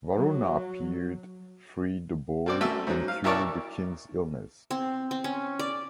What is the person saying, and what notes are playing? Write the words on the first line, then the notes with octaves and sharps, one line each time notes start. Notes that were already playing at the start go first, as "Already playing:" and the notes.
Varuna appeared, freed the boy and cured the King’s illness.
F#3
B2 C4 D5
F#2 A3 E5 E6
G#2 F#3
F5
B1 E4 A#4 C#5 D5 A5
C4
C4
C#4
D5